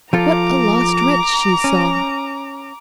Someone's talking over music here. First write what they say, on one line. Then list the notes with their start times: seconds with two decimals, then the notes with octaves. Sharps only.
What a lost wretch she saw!
0.13 F3 F4 A4 A#5 D6
1.64 C#4